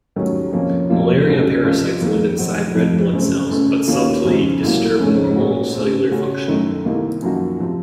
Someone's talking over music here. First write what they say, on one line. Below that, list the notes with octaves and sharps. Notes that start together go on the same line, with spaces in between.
Malaria parasites live inside red blood cells, but subtly disturb normal cellular function.
D#2 D#3 F#3 A3 C#4
F2 C3 F3 A#3 C#4
F2 C3 F3 A#3 F4
D#2 C#3 F#3
C#2 C3 F3 C4 F4
F2 D#3 A#3
F2 C3 F#3 C4 F#4
F2 C3 F3
F#2 C#3 A3 C4
C#2 C#3 A3
D#2 D#3 A#3 C#4 F4
F2 C#3 A3 C4 D#4
C2 C3 F#3 A#3
F2 C#3 A3 C#4
A#2 A3 C#4 F#4
C#3 A3 C4
C#3 A3 C#4 F#4
F#2 D#3 A3 D#4
C2 C3 D#3 A#3
F#2 F3 A#3 D#4 F#4
C3 F3